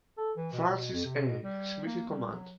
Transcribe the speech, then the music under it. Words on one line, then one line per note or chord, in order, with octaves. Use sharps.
Francis A. Smith in command.
A4
E3
B2
B2
F2
C3
B2
G3
A#3
G3
F#3